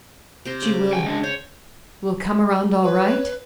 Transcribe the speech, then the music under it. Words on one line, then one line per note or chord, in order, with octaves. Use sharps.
"She will--will come around all right?"
C3 A#5 C6
C#3
G5 G#5
G#3 D4
C5 C#5
B4 C#5